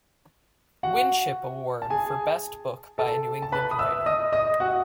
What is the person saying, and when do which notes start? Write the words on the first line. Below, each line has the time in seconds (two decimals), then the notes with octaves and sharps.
Winship award for best book by a New England writer.
0.83 F#4 F#5
1.82 A5
1.90 G#4 G#5
2.98 A4 A5
3.42 A5
3.52 B4 B5
3.71 D#6
3.79 E5 E6
4.06 D#5 D#6
4.32 D#5 D#6
4.60 F#4 F#5